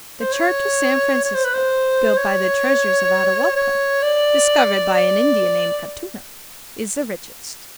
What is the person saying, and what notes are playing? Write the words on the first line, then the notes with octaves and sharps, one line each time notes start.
The Church of San Francisco, built by the treasures of Atahuallpa, discovered by an Indian named Catuna, is the richest.
C5
C#5
C#5
C5
B4
C5
C#5
C#5
D5
D5